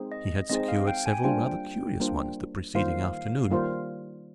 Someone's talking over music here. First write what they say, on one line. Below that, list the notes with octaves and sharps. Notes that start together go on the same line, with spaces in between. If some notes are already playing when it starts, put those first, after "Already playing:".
He had secured several rather curious ones the preceding afternoon.
Already playing: G#3 C4 D#4 G#4 C5
D#5
G#3 C4 D#4 G#4 C5 D#5
F5
G5
G#5
G3 A#3 D4 F4 C5 G5
G3 A#3 D4 F4 C5
D#3 G3 A#3 F4 C5 F5
D#3 G3 A#3 F4 C5